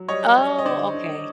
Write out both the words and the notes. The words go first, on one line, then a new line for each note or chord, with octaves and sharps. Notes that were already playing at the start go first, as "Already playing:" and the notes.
Oh, okay.
Already playing: F#3
G3 C#5 D#5
G3
D#5
D3 C5 D5
D3